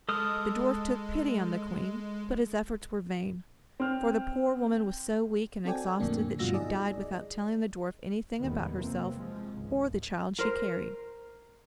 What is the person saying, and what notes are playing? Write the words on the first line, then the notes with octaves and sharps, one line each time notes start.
The dwarf took pity on the Queen, but his efforts were vain, for the poor woman was so weak and exhausted that she died without telling the dwarf anything about herself or the child she carried.
G#3 A4 D#6 F6
C4 F6
C4 F#4 A4 D5 G5 G#5
F2 A2 D3 A#3 D4
G2 B2 F4 F#4 E6 A#6
D#4 G#4 D5 D#5
F#1 E2 A2 D#3 G3 B3
C3 E3 A#3 C4
F3 G#3
G#1 C#2
A#4 C5